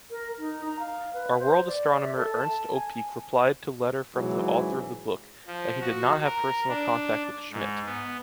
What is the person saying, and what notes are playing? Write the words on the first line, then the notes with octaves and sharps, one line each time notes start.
Our world astronomer Ernst Öpik replied to letter from the author of the book, that he did not have personal contact with Schmidt.
A#4
D#4
A#5
F5
B4
C5
D5
E5
A4
A5
G#5
G#2 C#3 E3 F#3
F3
F#4
A#4
D4
G#2
B3